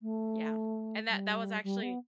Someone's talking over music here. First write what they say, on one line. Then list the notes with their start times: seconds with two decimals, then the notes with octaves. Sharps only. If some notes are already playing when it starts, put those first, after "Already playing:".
Yeah, and that that was actually
0.02 A3
1.09 G3
1.64 G3
1.82 B3